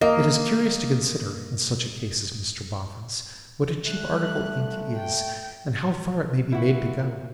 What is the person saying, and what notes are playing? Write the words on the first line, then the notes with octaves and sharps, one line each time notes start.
It is curious to consider, in such a case as Mr Boffin's, what a cheap article ink is, and how far it may be made to go.
A#3 D#5
G3 A3 F#6
G5
A#2 E4 F#4